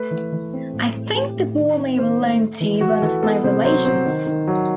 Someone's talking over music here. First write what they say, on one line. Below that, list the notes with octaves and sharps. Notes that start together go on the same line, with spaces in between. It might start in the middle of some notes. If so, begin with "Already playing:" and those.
I think the ball may belong to one of my relations.
Already playing: A3 B4
E3
E3
C4
A2
A2
A2 G4
A2
D#3
C4
D#3 C5
A3
A3
E3
E3 F#4
E3 A4
B3 A4
C3 C5
F#3 C5
C3 C5
D#3
D#3
F#3